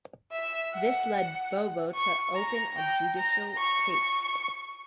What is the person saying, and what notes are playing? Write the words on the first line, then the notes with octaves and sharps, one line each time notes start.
This led Bobo to open a judicial case.
E5
F#5
C#6
A#5
G5
A#5
C#6